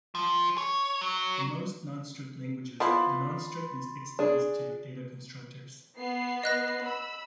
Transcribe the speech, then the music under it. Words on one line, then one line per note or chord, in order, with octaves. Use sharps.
In most non-strict languages the non-strictness extends to data constructors.
F3
C#5
F#3
F3 B3 E4 A5 B5 C6
D4 G#4
B3 C7
D#5 F#6 A#6
B5 E6